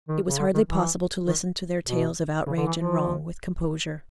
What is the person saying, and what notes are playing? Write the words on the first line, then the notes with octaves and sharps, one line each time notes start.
It was hardly possible to listen to their tales of outrage and wrong with composure.
D#3
C#3
D3
D#3
E3
D#3
B2
C#3
D3
E3
F3